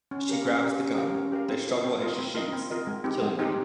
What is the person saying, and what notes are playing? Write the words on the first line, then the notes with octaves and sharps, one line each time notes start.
She grabs the gun, they struggle and she shoots, killing him.
C#4
G4 A#4 F5
C#4
G4 A#4 F5
C#4
G4 A#4 F5
C#4
G4 A#4 F5
C4
F4 A#4 D#5
C4
F4 A#4 D#5
C4
F4 A#4 D#5
C4
F4 A#4 D#5
G#3
C4 D#4 G4
G#3
C4 D#4 G4